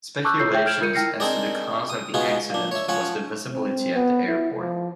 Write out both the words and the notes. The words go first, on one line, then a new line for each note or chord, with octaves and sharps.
Speculations as to the cause of the accident was the visibility at the airport.
A5 C#6 D6 E6 F#6 G6
E4 F4 C#5 E6 G6 C7
G#4 C#5 E5 G5 G6
F6 G6 G#6 D7 E7 F#7
F4 A#4 G6 C#7 D#7
E4 G5 F6 A#6 C7 C#7
C4 D4 D#4 G#4 A#4 D5
D#6
B2 B3 D#4 F4 F#4 G#4
A#2 D4
C#5 E5
F3 C#4 C#5 F#5
C4
B3
E4
F3